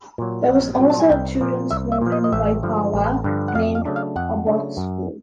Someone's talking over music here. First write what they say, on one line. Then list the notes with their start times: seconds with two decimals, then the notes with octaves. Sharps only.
There was also a children's home in Waipawa named Abbotsford.
0.18 A#2 F#3
0.49 A#1
0.79 A#2 F#3
0.90 A5
1.00 G#5
1.09 C2 G5
1.41 A#2 F3
1.71 C2 E5
1.92 E5
2.01 A#2 F3
2.12 D#5
2.24 D#5
2.32 A1 E5
2.63 G2 D3 F3
2.93 A1
3.24 G2 D3 F3
3.48 F#5
3.55 F2 F5
3.75 F5
3.85 C#3 F#3 A3 D4
3.96 F5
4.16 F2 F#5
4.46 C#3 F#3 A3 D4
4.77 F#2